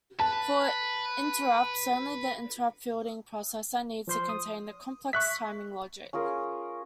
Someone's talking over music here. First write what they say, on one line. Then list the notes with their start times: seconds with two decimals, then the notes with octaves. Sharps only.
For interrupts, only the "interrupt-fielding processor" needs to contain the complex timing logic.
0.20 B4 A5
4.07 F3 C5 C6
4.29 D#6
5.13 E5 C#6 F#6 B6
6.13 C#4 F4 G#4 A#4